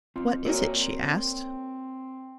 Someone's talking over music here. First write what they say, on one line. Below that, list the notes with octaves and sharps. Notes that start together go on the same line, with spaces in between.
"What is it?" she asked.
C4 F4
A#3 C4 F#4 A#4 C#5 D5